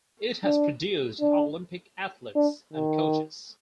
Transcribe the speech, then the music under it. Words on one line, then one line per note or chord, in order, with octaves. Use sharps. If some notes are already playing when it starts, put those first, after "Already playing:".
It has produced Olympic athletes and coaches.
D4
D4
D4
D#3